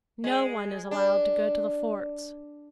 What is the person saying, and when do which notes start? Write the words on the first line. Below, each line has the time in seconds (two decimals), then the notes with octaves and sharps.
No one is allowed to go to the forts.
0.24 G#3
0.91 D4